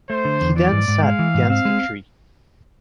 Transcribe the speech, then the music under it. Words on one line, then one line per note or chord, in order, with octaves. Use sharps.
He then sat against a tree.
A3 C5
D3
E2
E3 D5
G#2
G#2
G#3 F5
E3
G#2
C4 F5
G#3